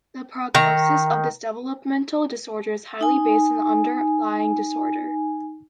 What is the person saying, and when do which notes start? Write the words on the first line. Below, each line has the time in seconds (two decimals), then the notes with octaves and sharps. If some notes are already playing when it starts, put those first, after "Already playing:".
The prognosis of this developmental disorder is highly based on the underlying disorder.
0.55 D#3 A#5
3.01 D#4 G#5